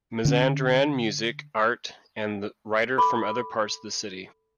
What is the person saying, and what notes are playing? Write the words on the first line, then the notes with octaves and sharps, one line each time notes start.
Mazandaran music, art and writer from other parts of the city.
D3 C#4
A4 B5 C#6 D6